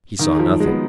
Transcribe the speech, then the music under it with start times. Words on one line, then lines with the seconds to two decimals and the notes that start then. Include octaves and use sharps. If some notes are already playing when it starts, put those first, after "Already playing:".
He saw nothing.
0.19 D#3 D#4
0.34 F3 G#4
0.50 F#3
0.60 G#3
0.66 B3